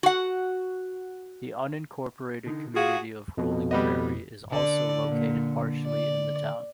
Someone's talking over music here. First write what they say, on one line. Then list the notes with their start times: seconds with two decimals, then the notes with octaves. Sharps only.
The unincorporated community of Rolling Prairie is also located partially in the town.
0.03 F#4 F#5
2.46 D3 D#4
2.74 F4 F#4 G#4 F5
3.37 F2 B2
3.71 G3 B3 D#5
4.52 D3 D5
5.08 A#2
5.86 D5